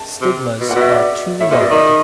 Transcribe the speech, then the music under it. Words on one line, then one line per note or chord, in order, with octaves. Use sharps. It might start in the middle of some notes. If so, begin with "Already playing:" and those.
Stigmas are two-lobed.
Already playing: A5
C3
B2
A#2 F#5
B2
E5
D5
A2 E5
A#2 D#5
B2
D5
D#3 D#5